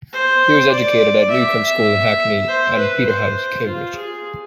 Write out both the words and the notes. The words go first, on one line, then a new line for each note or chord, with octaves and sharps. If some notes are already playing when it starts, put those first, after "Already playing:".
He was educated at Newcome's School in Hackney and at Peterhouse, Cambridge.
C5
D5
E5
C5
B4
C5
F4
G#4